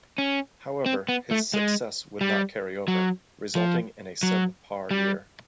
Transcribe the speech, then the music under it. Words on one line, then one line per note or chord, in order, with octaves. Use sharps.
However, his success would not carry over, resulting in a sub par year.
C#4
C4
B3
A3
G#3
G3
F#3
F3
F#3
G3